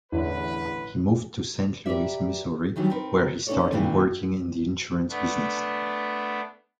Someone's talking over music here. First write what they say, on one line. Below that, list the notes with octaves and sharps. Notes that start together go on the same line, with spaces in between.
He moved to Saint Louis, Missouri where he started working in the insurance business.
A1 E2 D3 E4 B4
G4 A#4 B4 D5 E5
D#3 E3 F#3 G3 D4 D#4
C4 D#4 A#4 B4
C#4 D#4 F#4 A4 C#5 D5
G2 A#2 D#3 E3
A3 B3 D4